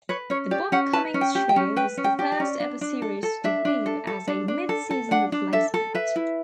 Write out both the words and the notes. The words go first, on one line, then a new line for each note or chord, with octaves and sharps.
"The Bob Cummings Show" was the first-ever series to debut as a midseason replacement.
B4 C#5
C#4 C#5
G4 D5
C#4 F#5
B4 A5
C#4
G5
G4
G5
C#4
B4 G5
C#4
G5
G4
D5
C#4
D4
D4
A4
A4
D4 E5
D4
A4
A4
D4
D4
A4
A4
D4 F#5
D4
A4 E5
A4
B4 E5
E4